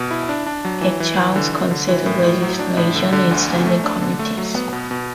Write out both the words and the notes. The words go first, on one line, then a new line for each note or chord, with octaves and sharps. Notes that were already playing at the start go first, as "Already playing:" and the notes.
Each house considers legislation in standing committees.
Already playing: B2
E4
D4
D4
F#3
E3
E3
E3
D3
D3
D3
E3
A2
A2
F#3
D4
A2
D3
D3
D2
E2
A3
D4
D3
A3
F#3
B3
B2
B2